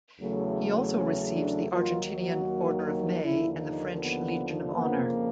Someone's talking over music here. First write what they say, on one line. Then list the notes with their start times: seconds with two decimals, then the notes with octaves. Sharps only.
He also received the Argentinian Order of May and the French Legion of Honour.
0.19 E2 C#3 F#3 A3
0.95 C#4
1.33 D4
1.71 D#2 D#3 F#3 A#3 F4
2.09 F#4
3.23 D#2 D3 F3 A#3 E4
3.61 D#4
3.99 B3
4.75 F2 C#3 F3 A#3 B3